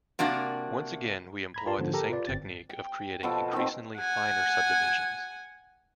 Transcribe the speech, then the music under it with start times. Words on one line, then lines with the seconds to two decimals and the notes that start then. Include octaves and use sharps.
Once again we employ the same technique of creating increasingly finer subdivisions.
0.19 C3 A#3 D4 F#4
1.54 A#5 B5 G#6
1.66 F4 G4 A#4 D5 A5 C6
1.78 G#2 D3 F3 B3
1.93 G4 A4 A#4 A#5
2.10 F4 B4 D5
2.27 G1 C4 A6
2.69 G5
3.23 B2 F3 A4
3.53 D#3 C4
3.99 F#5 G#5